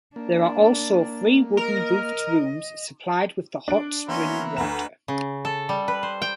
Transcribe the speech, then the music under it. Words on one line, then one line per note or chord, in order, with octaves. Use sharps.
There are also three wooden roofed rooms supplied with the hot spring water.
A#3 D4
A#4 D#5
D4 D7
E3 A#3 B3 C#4 F#4 C6
D2 B4 F#5 A#5 E7
C#3
A4
G3
B4
C5
G5